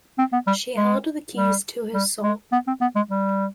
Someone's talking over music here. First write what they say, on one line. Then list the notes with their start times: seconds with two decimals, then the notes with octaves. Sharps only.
She held the keys to his soul.
0.18 C4
0.33 B3
0.47 G3
0.77 G#3
1.35 G3
1.94 G3
2.23 G#3
2.52 B3
2.67 C4
2.81 B3
2.96 G#3
3.11 G3